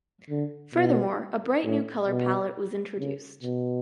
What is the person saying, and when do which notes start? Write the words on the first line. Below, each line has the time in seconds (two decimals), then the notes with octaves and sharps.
Furthermore, a bright new colour palette was introduced.
0.30 D3
0.75 B2
1.65 A2
2.08 B2
2.98 C#3
3.43 B2